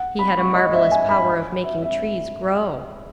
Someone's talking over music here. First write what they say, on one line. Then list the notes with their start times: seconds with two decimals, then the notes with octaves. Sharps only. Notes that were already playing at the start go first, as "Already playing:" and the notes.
He had a marvellous power of making trees grow.
Already playing: F#5
0.19 B5
0.37 C#6
0.55 D#5
0.73 E5
0.91 G#5
1.09 B5
1.63 E5
1.82 E5